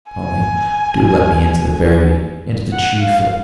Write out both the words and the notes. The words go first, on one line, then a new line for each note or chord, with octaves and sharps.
Only do let me into the very... into the chief...
G#5
F#5
F5